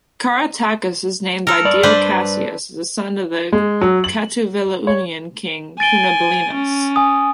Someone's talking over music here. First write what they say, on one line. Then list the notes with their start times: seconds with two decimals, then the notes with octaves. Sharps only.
Caratacus is named by Dio Cassius as a son of the Catuvellaunian king Cunobelinus.
1.47 A4 A#4
1.65 G2 D5
1.83 D4 B4 C5
3.52 G#3
3.81 F#3
4.04 F#7
4.87 C#5
5.80 G#5 A6 D7 G7
6.55 C#4
6.96 G#5 D#6